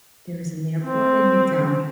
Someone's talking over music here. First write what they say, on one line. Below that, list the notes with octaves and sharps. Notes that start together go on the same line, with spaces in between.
There is an airport in the town.
C4